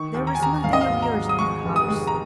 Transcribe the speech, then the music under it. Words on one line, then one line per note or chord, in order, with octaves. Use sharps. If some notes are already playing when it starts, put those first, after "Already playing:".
There was nothing of yours in her house.
Already playing: D#3 C#6
D#2
A#5
G#5
D#2 A#5
G#2 F5
D#5
F5
G#1
A#5
G#3
D#6
G#3 C#6
F1
D#6
G#3
A#5